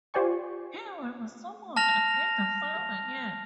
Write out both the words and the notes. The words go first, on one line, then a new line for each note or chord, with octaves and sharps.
He will be summoned again the following year.
F4 G4 C5 D5 G#5 C#6
A5 F6 A#6 F7